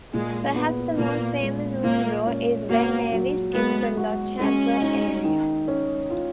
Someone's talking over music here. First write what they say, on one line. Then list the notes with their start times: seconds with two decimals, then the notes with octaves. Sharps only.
Perhaps the most famous Munro is Ben Nevis in the Lochaber area.
0.13 A#2 G#3
0.56 B3
0.98 A#2 A#3
1.41 G#3
1.83 A#2 A#3
2.26 C#4
2.69 A#3 F#4
3.12 F#3
3.55 G#3 B3
3.97 F#4
4.39 G#3 C#4
4.82 D#4
5.24 D#3
5.68 C#4
6.10 F4